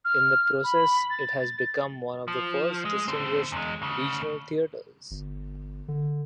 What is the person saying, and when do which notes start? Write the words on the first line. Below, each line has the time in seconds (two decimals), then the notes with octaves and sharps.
In the process it has become one of the first distinguished regional theatres.
0.05 F6
0.64 B5
1.10 A6
2.28 F3
2.85 G#3
3.08 D3 C4
3.52 E2 G#3
3.82 D2 C#3
5.11 G1
5.88 D3